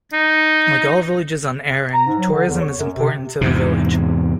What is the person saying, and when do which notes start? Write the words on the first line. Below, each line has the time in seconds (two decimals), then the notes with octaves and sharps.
Like all villages on Arran, tourism is important to the village.
0.13 D#4
1.94 A#5
2.07 G#2
2.19 F#3
2.32 D3
2.47 E2
2.61 C#5
2.79 F#2
2.97 C3
3.41 E2 G#2 C3